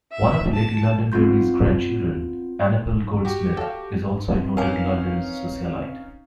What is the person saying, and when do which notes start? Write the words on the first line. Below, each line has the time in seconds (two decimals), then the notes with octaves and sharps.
One of Lady Londonderry's grandchildren, Annabel Goldsmith, is also a noted London socialite.
0.13 E5
0.53 A5
1.12 B3 C4 F4 C6 G6
3.25 F#4 G4
3.57 A4 F5
4.32 C4 B4
4.57 C#4 D#4 A#4 F5 G#5 D6